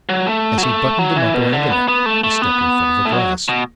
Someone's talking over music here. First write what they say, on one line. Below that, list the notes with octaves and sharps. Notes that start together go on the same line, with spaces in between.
As he buttoned them up around the neck he stepped in front of a glass.
F#3
A3
F#3
A3
F#3
E3
B2
D3
B3
B3
A3
A3
B3
A3
F#3
B2